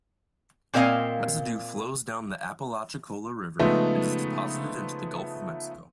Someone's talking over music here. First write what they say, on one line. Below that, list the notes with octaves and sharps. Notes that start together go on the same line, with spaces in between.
Residue flows down the Apalachicola River and is deposited into the Gulf of Mexico.
A#2 C4 A#4 D#5 F5 G#5
C#3 F3 G#3 A3 B3 D#4